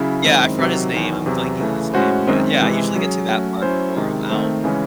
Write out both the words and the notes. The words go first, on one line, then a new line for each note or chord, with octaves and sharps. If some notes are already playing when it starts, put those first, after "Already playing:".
Yeah, I forgot his name. I'm blanking on his name. But, yeah, I usually get to that part before I'm out.
Already playing: C#3 F#3 C#4 E4
F#2 D#3 G#3 C4 E4
C3 D#3 F#3
E2 D#3 F#3
E2 C3 F#3
C#3 E3 A3
A2 G#3 C#4 F#4 C5
F#2 D#3 G#3 C4
C3 E3 G#3
F#3 C#4 G#4
F#3 A3 C#4 F#4
F#3 C#4 E4 C5
C3 D#3 G#3
D#3 A3 C4
C#3 E3 G#3 C#4